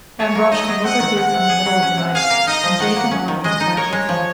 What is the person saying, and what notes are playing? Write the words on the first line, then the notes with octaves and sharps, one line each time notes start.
Ambrosch came over here in the middle of the night, and Jake and Otto went back with him.
G#4 C#5
A#3
D#4 D#5
F#3
C4 F#5
D#3
G#3 F#5
C3
G#4
F#3
C#4
C3
G#4 F5
A#3
D#4 D#5
F3
D#3 F#5
A#3
C#4
D#3
G#3 D#5
D#4
A#4 C#5
G#3
F3